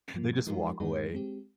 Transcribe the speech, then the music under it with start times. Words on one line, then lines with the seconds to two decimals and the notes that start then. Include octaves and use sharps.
They just walk away,
0.14 G2 F3 A#3
0.47 F3 G#3 D#4 G4 A#4
0.80 G2 D#3 G#3 D#4 G#4
1.13 G#3 C4 G4